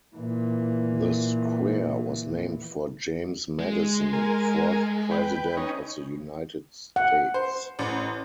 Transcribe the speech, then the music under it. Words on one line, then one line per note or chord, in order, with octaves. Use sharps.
The square was named for James Madison, fourth President of the United States.
A#2 E3
G#3
A#4 G#5
B4 G5
C#4 D#4
F#5
C5
A1